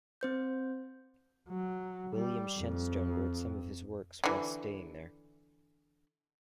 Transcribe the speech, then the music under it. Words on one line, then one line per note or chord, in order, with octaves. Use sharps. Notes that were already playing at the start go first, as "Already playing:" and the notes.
William Shenstone wrote some of his works whilst staying there.
C4 C5 G6
F#3
G3
F2
D3 E3